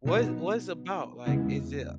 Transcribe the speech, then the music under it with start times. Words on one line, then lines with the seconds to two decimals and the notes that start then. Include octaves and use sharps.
What what it's about, like, is it
0.05 B2 F#3 B3 D#4
1.26 E2 C#3 G#3 B3 E4